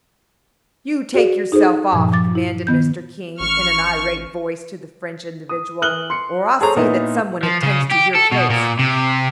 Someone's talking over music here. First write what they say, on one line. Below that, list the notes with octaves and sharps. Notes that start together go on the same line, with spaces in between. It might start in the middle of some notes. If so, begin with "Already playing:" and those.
"You take yourself off," commanded Mr. King, in an irate voice to the French individual, "or I'll see that some one attends to your case."
F#4 G#4 D5 F5
D#4 G#4 A4 C5
G2 A#2 F3
F3 D6 A6
E4
D#3 B3 G6
A1 C#6 F6
D#6
E3 D#6 F6 F#6 F#7 G7
C6 C#7
G#4 A4 C5 C#5 A#5
A#2 B3 D#4 E4
F3
C#3
G4
A4
B2
A#2
C3